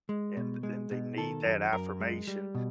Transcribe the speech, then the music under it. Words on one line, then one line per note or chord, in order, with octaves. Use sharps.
and and they need that affirmation.
G#3
B2
G#3
B2
D#3 A4
F#2
F#2 A#4
G#3
G3
B2